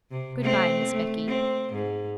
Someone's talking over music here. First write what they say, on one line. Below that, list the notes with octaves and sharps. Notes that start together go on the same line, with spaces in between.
'Good-bye, Miss Becky.
C3
A3 C4
A3
C4
G#2